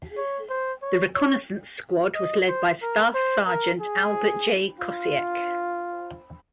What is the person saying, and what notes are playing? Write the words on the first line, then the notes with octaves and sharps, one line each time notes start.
The reconnaissance squad was led by Staff Sergeant Albert J. Kosiek.
C#5
C5
C#5
C#5
D#5
C5
A#4
C5
A#4
G#4
F4